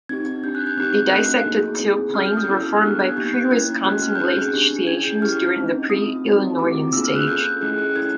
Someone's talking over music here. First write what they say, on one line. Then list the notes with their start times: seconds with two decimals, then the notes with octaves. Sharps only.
The Dissected Till Plains were formed by pre-Wisconsin glaciations during the Pre-Illinoian Stage.
0.09 C4 D#4 G4 G#6
0.26 G#6
0.43 D4 G4 G6
0.55 F#6
0.67 G6
0.77 C4 D#4 G4 F#6
0.94 G6
1.12 A3 D4 F#4 A4 F#6
1.46 A#3 D#4 G#4
1.80 C4 E4 G#4
2.14 C#4 F#4 A4 F6
2.26 G6
2.37 D#6
2.48 B3 E4 A4 E6
2.66 F6
2.82 B3 D4 G4 F#6
3.00 G#6
3.16 A#3 D#4 G4 G6
3.34 F#6
3.51 A#3 C#4 E4 G#6
3.85 A3 C#4 F#4 A4 F#6
4.02 F6
4.15 G6
4.19 C4 D#4 G#4 F#6
4.53 D4 G4
4.87 C#4 E4 G#4 G#6
5.04 G6
5.22 C#4 E4 G4 F6
5.56 A3 C4 D#4
5.90 A3 C4 F4 D#6
6.24 A3 C4 D#4 F#4 A4
6.59 C4 E4 G4 D6
6.93 A#3 D4 F4 G#4 E6
7.05 F6
7.16 F#6
7.27 C#4 F4 A4 G6
7.61 A3 C#4 E4 G#4 F#6
7.78 F#6
7.95 C#4 E4 A4 G#6